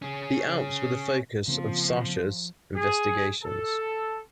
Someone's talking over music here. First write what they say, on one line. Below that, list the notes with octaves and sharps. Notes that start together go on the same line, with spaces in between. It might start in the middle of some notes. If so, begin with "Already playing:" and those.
The Alps were the focus of Saussure's investigations.
C#4 G#4
C#3 F3 A#3 C4
G#4
A4